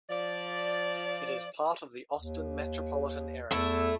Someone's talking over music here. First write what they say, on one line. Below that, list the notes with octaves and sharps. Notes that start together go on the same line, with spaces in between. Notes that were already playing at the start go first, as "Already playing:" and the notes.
It is part of the Austin metropolitan area.
F3 D5
D#2
E2 A3 E4 E5